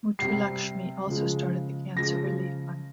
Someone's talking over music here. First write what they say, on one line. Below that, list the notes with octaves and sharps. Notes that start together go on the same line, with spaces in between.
Muthulakshmi also started the Cancer Relief Fund.
C3 G3 C7
C#3 F3 G#3
C#3 F3 G#3 A#6